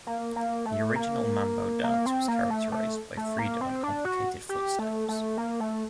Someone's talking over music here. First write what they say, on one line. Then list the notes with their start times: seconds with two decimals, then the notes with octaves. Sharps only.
The original mambo dance was characterized by freedom and complicated foot-steps.
0.07 A#3
0.36 A#3
0.66 A3
0.95 A#3
1.84 A#3
2.06 C4
2.28 A#3
2.50 A3
2.72 A3
3.17 A3
3.38 A#3
3.61 C4
3.83 D4
4.05 F#4
4.49 G4
4.79 A3
5.08 A3
5.37 A#3
5.60 A3